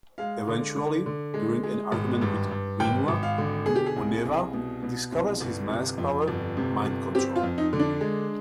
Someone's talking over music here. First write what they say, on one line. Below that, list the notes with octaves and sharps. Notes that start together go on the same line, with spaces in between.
Eventually, during an argument with Whenua, Onewa discovers his mask power, mind-control.
G#3 F5
D3
D3
D3
G#3
G#3
G#1
G2
G2
G#1 G5
G#1
F5
D3
B2 G#4
G4
G#4
C2
C2
B2
B2
C2
G1
C3
F2
G1
C3
G1
C4 G4
F4
F2
D#4
D3
D4
G#3